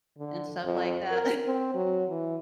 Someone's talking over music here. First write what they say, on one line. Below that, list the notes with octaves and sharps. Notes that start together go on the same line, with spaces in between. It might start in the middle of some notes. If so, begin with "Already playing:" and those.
and stuff like that.
D3
F2
A#4
C4
F#3
E3